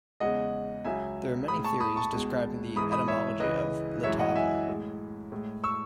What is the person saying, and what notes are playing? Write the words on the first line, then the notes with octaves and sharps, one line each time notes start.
There are many theories describing etymology of "Ltava".
E2 C#3 G#3 D#5 F#5
C#2 C#3 F#3 E5 G#5
A2 G#3 B5 D#6
A5 C#6
B5 D#6
A5 C#6
C#2 B2 G#3
G#2 E3 G#3 B5 D#6
B5 D#6
C#5 E5
C#2 C#3 E3 G#3 B4 D#5
F#2 E3 G#3 C#5 E5
D#5 F#5
E5 G#5
A2 G#3
A2 G#3
C#6 E6